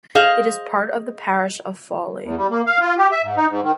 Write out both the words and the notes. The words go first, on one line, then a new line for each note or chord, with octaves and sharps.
It is part of the parish of Fawley.
G#4 C5 D#5 F5
E2
G3
A#3
F5
F4
G4
E5
G#2
D#4
G#2
D#3